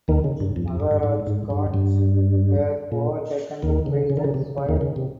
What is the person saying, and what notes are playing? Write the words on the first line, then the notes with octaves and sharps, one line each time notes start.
Maharajganj had overtaken it by that point.
D#2 D#3
C#3
G2
F2
F2
G2
G2
G#2
G#2
G2
G2
A#2
D#2 D#3
C#3
C#3
D#3
C#3
C3
C#3
D#2 D#3
C#3
C3